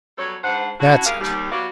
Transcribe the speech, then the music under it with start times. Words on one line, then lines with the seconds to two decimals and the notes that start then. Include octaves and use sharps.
'That's it!
0.18 F#3 G3 B3 A4 C#5
0.44 G#2 D4 B4 C5 F#5
0.80 C#4 D4 E4 F#4
1.06 G3 G#3 G4 A#4 F5
1.21 D#2 G3
1.52 F#3 B3 F#4 G4 D5 F5